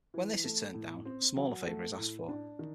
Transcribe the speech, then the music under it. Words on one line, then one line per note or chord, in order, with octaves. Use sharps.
When this is turned down, a smaller favor is asked for.
E3
A3
A2
C4
F#3
A3
A2
D4
D#3